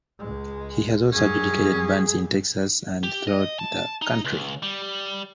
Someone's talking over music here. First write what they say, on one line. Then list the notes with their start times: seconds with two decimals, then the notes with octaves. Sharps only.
He has also adjudicated bands in Texas and throughout the country.
0.19 C#2 G#3
1.12 F#2 G3 C#4 G#4
3.03 G4
3.27 D#5
3.59 A5
4.02 D#4
4.25 C#2
4.63 G3